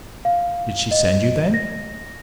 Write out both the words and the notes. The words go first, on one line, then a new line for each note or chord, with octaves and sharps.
"Did she send you, then?"
F5
D#5
A#6